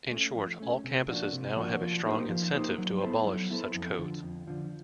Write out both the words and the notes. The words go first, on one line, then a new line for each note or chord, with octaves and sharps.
In short, all campuses now have a strong incentive to abolish such codes.
A3 C#4
F3
A3 C#4
C3
F3 A#3 D4 F#4
C3
F3 A#3 D4 F#4
F3
A#3 D#4 G4 C5
F3
A#3 D#4 G4 C5
F#3
B3 E4 A4 C5
F#3
B3 E4 A4 C5
F2
D3 F3
F2
D3 F3